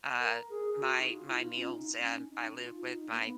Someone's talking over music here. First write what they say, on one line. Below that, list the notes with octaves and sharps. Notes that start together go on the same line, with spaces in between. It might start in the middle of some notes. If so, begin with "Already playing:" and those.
uh, my my meals, and I live with my
A#4
G#4
F#4
D#4
F4
D#4
F4
C#4
D#4
C#4
D#4
F4
D#4
A#3
B3